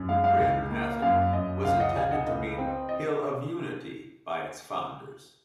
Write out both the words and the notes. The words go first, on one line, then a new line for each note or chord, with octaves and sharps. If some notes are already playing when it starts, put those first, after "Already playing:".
"Bryn Athyn" was intended to mean "Hill of Unity" by its founders.
Already playing: F#2
G#3 F5
F5
C#2
A#3
F#2 F5
F#2 D#5
C#2 F5
D#5 F#5
C#2 F5 G#5
D#5 F#5
C#2 D#5
C4
D#5